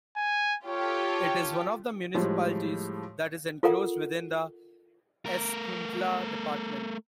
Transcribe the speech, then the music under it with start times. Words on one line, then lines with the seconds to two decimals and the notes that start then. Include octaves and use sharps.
It is one of the municipalities that is enclosed within the Escuintla Department.
0.16 G#5
0.65 F4 G4 A4 C#5
2.15 A2 F3 G3 G#3
3.63 F4 A4 A#4 F#5
5.26 A3 A#4